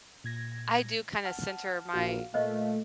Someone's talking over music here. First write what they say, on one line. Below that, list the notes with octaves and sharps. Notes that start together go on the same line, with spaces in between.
I do kinda center my
A#2 G#6 A#6
F#5 A5 F6
A#1 F#4 F5
A#2 A3 A#3 C5 D#5 F5